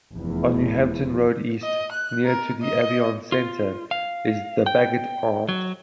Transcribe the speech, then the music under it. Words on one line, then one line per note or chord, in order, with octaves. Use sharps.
On Newhampton Road East, near to the Avion Centre, is "The Bagot Arms".
F1 E2
D#5
F#6
A#4
D#5
F4
F5
G5
F#3